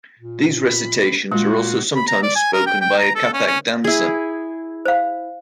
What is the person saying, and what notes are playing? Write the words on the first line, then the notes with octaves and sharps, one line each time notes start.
These recitations are also sometimes spoken by a Kathak dancer.
A#2
B5
A#2 G#3 F4 F#4
B5
A#5
D5
G#5
A#4
G5
G5
A#5
A4
C#4
C#4
E4 G#4
C5 F5